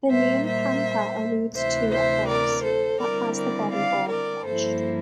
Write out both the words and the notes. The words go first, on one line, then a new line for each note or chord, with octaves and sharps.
The name Pampa alludes to a horse, that has the body all threshed.
A#2 G3 A#3 C5 E5
C5 E5
D2 C3 E3 C5 E5
C5 E5
A#4 D5
A4 C5
D3 G3 C4 E4 A#4 D5
A#4 D5
D5 F5
A#4 D5
G2 F3 A#3 E4 A4 C5